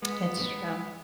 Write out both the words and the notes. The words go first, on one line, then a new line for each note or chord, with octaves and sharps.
It's true.
G#3 B3